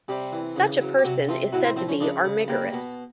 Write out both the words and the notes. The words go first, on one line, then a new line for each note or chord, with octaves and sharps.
Such a person is said to be armigerous.
C3 G3 G4
E3
C#3
F#3
G4
C3 F#3 F#4
C3 F3 F4
A2 F#3 F#4
C4 C5
F3 C4 C5
C#4 C#5
C#3 D4 D5
C#3
G3 A#3 A#4
B2